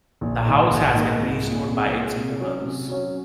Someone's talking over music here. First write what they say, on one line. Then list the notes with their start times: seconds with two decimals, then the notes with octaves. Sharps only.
The house has been restored by its owners.
0.21 A#1
0.45 G#2 D#3 A#3
0.71 A#1
0.95 G#2 D#3 A#3
1.18 C2
1.43 A#2 G#3
1.67 C2
1.92 A#2 G#3
2.15 C3
2.40 F#3 C#4 F#4 C#5
2.64 C3
2.88 F#3 C#4 F#4 C#5